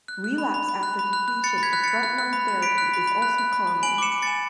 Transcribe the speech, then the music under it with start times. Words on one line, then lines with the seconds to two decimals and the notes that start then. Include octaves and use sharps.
Relapse after completion of frontline therapy is also common.
0.08 F#6
0.24 F#6
0.38 B5
0.54 B5
0.69 B5
0.83 F#6
0.99 B5
1.13 F#6
1.28 F#6
1.44 B5 A6 C#7
1.58 B5 G#6 B6
1.73 F#6
1.83 F#6 A6 C#7
2.03 F#6
2.18 F#6
2.33 B5
2.48 F#6
2.62 B5 B6 D7
2.78 F#6
2.94 B5
3.07 B5
3.22 F#6
3.38 F#6
3.53 B5
3.67 B5
3.83 G#5 D7 F#7
3.98 D6 C#7 E7
4.12 D6
4.22 G#5 A6 C#7